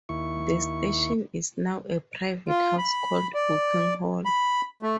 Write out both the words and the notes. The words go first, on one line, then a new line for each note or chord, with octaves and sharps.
The station is now a private house called Booking Hall.
D#2 E4 C#6
F4
B5
D5
B5
A3